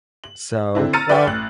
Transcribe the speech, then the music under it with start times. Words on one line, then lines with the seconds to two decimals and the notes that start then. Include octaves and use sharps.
so, well,
0.24 F#7
0.75 D3 C4 D4 E4
0.93 A#5 E6 F6 A6 C#7 D#7
1.09 B4 D5 E5 G5 G#5 C#6
1.27 A1 F#6 F#7